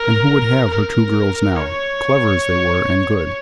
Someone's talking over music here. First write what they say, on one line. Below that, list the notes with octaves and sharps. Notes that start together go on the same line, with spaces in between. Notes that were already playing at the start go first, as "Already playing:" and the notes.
And who would have her two girls now, clever as they were and good?
Already playing: A#4
A#4
C#5